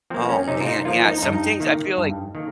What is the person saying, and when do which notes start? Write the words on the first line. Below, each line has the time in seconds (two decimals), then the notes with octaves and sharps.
Oh, man, yeah, some things I feel like
0.10 F3 A#3 C4
0.29 C#4
0.48 C3 D#4
0.61 F4
0.67 D#4
0.85 F3 A#3 F4
1.04 D#4
1.22 G2 D#4
1.60 D#3 A#3
1.97 G2
2.35 D#3 A#3